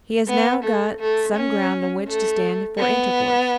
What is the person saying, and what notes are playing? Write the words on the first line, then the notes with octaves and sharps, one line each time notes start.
He has now got some ground on which to stand for intercourse.
B3
A3
A3
C#4
A3
B3